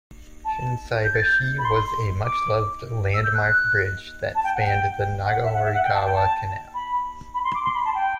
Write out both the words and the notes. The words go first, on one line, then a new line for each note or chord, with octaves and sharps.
Shinsaibashi was a much loved, landmark bridge that spanned the Nagahori-gawa canal.
A5
G6
A6
G6
B5
C6
D6
E6
G6
F#6
F#6
A5
G5
F#5
G5
F#5
E5
F#5
E5
F#5
G5
A5
G5
A5
B5
B5
C6
D6
C6
B5
A5
G5